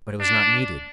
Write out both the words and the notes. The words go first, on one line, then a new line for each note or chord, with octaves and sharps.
But it was not needed.
D4